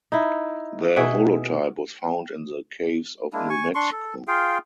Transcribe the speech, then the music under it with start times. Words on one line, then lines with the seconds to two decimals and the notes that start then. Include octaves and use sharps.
The holotype was found in the caves of New Mexico.
0.12 D#4 E4
0.96 B2 G#4 E5 F#5
3.33 G#3 A#3 D4 E4
3.50 G#5 C#6
3.75 D4 C6 C#6
3.92 A4
4.28 F4 G#4 F5 G5